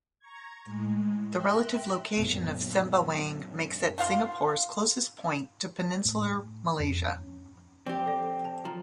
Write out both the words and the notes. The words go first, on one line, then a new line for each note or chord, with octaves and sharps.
The relative location of Sembawang makes it Singapore's closest point to Peninsular Malaysia.
A#5 C#6 G#6
A2 G#3
E5 G5 C6 E6 F#6 A#6
F#2 A#2 B3
A3 F4 F5 C6
A2
F2
C#4
F3 C4 G4
A4 D5
G5 A5
F3 A#5